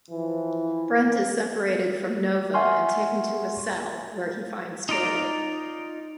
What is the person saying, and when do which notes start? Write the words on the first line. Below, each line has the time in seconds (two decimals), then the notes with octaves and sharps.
Brent is separated from Nova and taken to a cell, where he finds Taylor.
0.11 E3 F3
2.54 E5 F#5 G#5 C6 C#6 F6
4.89 D#4 F4 D5 A#5